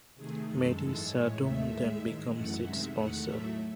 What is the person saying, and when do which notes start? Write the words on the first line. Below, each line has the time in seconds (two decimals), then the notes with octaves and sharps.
Medi Sadoun then becomes its sponsor.
0.15 C3 D#3 A3 G#4
0.47 F#2 D#3 G#3 A4
0.77 G#2 E3 G#3 A4
1.07 A2 E3 G#3 C#5
1.38 D#2 D#3 A3 E5
1.69 A2 G#3
1.99 G#2 D#3 G#3
2.31 F#2 E3 A3 F#5
2.61 C3 D#3 G#3 E5
2.93 E2 D#3 A3 F#5
3.23 A2 F#3 A3 E5